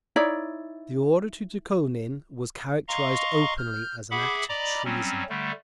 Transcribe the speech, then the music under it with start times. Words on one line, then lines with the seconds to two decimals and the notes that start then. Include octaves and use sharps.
The order to Dukhonin was characterised openly as an act of treason....
0.16 D#4 E4 C#5 D5
2.88 D#5 F5 A#5 C6 C#6
3.57 F6 G6
4.11 G#4 E5 F#5 B5 D6
4.49 D5 D#5 A#5 B5 D6
4.85 F#3 G3 C4 C#4
5.29 D3 G3 A3